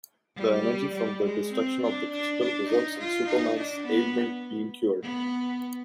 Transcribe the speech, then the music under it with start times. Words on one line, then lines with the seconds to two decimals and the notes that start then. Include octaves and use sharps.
The energy from the destruction of the crystal results in Superman's ailment being cured.
0.37 G3
0.95 G3
1.24 G#3
1.53 C4
1.82 D4
2.12 D4
2.41 D4
2.70 D#4
2.99 F4
3.28 D#4
3.57 D4
3.87 B3
5.03 B3